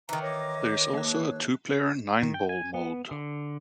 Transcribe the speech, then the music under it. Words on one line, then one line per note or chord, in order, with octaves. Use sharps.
There is also a two-player nine-ball mode.
D#3 E3 D#4 A#5
A#4 C#5 D#5 D6
A#3 F#6
D#3
G5
G#5
B3
D3